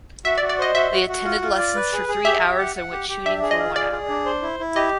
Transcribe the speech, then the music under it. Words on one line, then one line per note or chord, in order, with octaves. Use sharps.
They attended lessons for three hours and went shooting for one hour.
F#4 E5
D5
F#4
D5
C5 D#5
F#4 E5
F#4
F#4
F4
F4
D5
B4
G#4
G#4
G4 E5
G4
F#5
F#5
G4
G4
D4 E5
G#4
D#5
F4
G#4 D5
G#4
D4
C5
E4
E4
G4 D#5